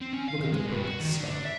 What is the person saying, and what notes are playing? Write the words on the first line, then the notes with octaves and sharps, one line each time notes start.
'Look at the broken scull.
C4
C#4
F5
D#3
G#3
G2
F#4
D#3
D3
D4
E5